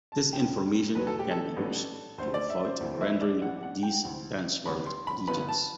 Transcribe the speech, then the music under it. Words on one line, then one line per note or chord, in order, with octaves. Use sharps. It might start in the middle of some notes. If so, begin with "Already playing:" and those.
This information can be used to avoid rendering these transparent regions.
A5
E1 D2 D3 G5
E2 B2 F#3 B3 B4
A4
G4
A4
A1 A2 G3 B3
D2 D3 A3 C4 C5
D5
E5
C5
D2 C3 E3 A3 C4
E4
D5
A1 A2 E3 F#5
F#5
G5
D2 C3 E3
D2 C3 G3 B3 B5
C6
B5
G1 G2 E3 B3 B5
A5